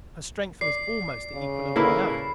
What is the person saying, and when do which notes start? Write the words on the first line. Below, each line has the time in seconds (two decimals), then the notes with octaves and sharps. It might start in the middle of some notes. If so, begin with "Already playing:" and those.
Her strength was almost the equal of my own.
0.61 D5 C7
1.34 C#3
1.76 A#3 E4 A4 B4 A5 B5